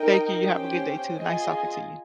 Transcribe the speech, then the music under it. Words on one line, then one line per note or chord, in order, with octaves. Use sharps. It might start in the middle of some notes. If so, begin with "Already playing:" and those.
Thank you, you have a good day too, nice talking to you.
Already playing: D#4 A#4 D#5 G5
C#4 G4 C5 G5
F4 G#4 D#5 G#5